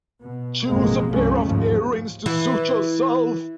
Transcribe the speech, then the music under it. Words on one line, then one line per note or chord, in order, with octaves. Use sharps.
Choose a pair of ear-rings to suit yourself.
B2
A1 F2 B2 G#3 A#3
C2 G2 F3 A3 C#4
D#2 G#2 C#3 F3
E3